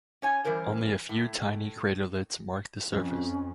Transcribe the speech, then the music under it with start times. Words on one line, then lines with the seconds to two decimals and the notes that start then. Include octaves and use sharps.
Only a few tiny craterlets mark the surface.
0.22 C#4 C#5 G#5
0.44 E3 G3 C#4 A#4 C5
1.09 A2
2.91 F2 C#4